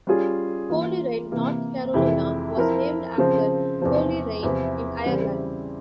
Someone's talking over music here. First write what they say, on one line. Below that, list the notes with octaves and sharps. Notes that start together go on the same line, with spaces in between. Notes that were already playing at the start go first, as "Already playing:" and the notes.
Colerain, North Carolina, was named after Coleraine in Ireland.
G3 C#4 F4 G#4
E3 A#3 F4
C3 E3 A#3
F2 C3 E3 G#3 E4
F3 C4 E4 A#4
C#3 F3 C4
E2 C3 F3 C4
E2 C3 F3 C4 E4
C#3 E3 G3 C4 E4